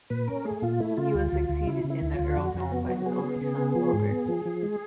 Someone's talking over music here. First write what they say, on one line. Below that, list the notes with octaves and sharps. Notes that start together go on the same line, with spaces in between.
He was succeeded in the earldom by his only son Robert.
A#2 B4
C#4 A#4
A3 G#4
A#2 F4
A3 E4
C#3 F4
D2
D2
D2
C#3 E4
C#3
E4
D2
F4
D2
F2 F#4
F2
B3
F#3
B3 G#4
B3
C#3
B3
F3
G#2
B3
F3
F3
G#3